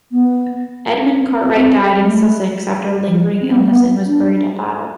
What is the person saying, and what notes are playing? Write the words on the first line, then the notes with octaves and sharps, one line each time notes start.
Edmund Cartwright died in Sussex after a lingering illness and was buried at Battle.
B3
C4
G#3
A3
F3
C4
B3
A3
B3
D4